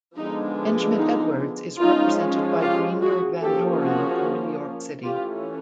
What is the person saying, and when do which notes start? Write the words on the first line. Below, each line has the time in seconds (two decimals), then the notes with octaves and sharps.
Benjamin Edwards is represented by Greenberg Van Doren in New York City.
0.17 D3 F3 G#3 B3 D4 D#4
0.98 D#4
1.80 F3 G#3 C#4 D#4 F4
2.61 F4 G4
3.02 F#4 G#4
3.43 F3 A#3 C#4 G4 A4
3.84 F#4 G#4
5.05 E3 A3 C#4 F4 G4